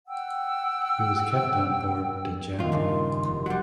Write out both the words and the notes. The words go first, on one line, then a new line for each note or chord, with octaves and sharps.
He was kept on board "Djambi".
F#5 G5 E6
D#1 F#2 D#3 F4 C6 D#6
G2 C#3
F1
F#3 G3 F#5